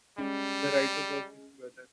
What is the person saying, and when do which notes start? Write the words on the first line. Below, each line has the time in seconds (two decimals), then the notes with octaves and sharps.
The writer was his brother.
0.18 G3 G#3 C#4